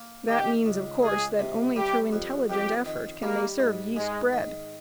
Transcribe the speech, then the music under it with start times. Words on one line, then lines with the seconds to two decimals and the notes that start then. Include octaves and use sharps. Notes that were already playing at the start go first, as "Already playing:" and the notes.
That means, of course, that only through intelligent effort can they serve yeast bread.
Already playing: A#3
0.29 D#3 G4
0.66 C#2
1.03 C#2 G#4
1.39 C3
1.76 G3 G4
2.13 F2
2.50 F2 G4
2.86 D#3
3.23 G3 A#3
3.60 G#2
3.97 G#2 G#3
4.33 D#3